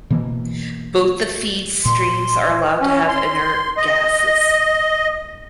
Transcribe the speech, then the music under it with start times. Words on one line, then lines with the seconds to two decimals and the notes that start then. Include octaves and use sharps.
Both the feed streams are allowed to have inert gases.
0.10 B2 E3 A#3
1.85 A#2 C6
2.81 C#4
3.08 C6
3.77 D#5